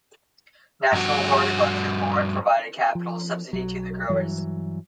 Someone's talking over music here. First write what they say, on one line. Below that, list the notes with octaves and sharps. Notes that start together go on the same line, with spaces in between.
National Horticulture Board provided capital subsidy to the growers.
G2 F#4
F3
B1 F#3
G2 E3 F#3